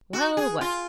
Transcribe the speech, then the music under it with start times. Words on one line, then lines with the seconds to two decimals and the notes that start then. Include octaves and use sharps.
"Well, what?"
0.13 F#4
0.37 G#4
0.61 F4